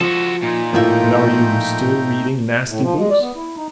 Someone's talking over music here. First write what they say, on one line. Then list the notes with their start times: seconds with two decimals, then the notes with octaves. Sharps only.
"And are you still reading nasty books?"
0.01 F3 F#4 A4
0.43 A#2 D#4
0.73 A2 F3 A3 A#3 D#4 F4 E5 G5
2.68 A2
2.82 F3
2.97 G#3
3.10 D5
3.21 B3
3.35 E4
3.56 D#4